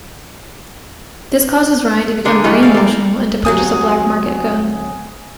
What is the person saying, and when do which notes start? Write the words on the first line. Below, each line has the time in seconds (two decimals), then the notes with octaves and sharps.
This causes Ryan to become very emotional, and to purchase a black market gun.
2.25 D3 A#3 D4 G#4
2.44 E3 G3 C#4 D#4
2.63 A4 D5 F5
2.74 G3 A#4
3.45 D2 C3 F#3 G#5 D#6